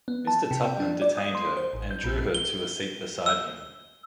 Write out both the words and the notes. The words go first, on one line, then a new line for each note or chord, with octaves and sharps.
Mr. Tupman detained her, and drew her to a seat beside him.
B3
A5
C3
G5
D4
D5
D#6
C6
C5
A1
G6
A#1
G7
E6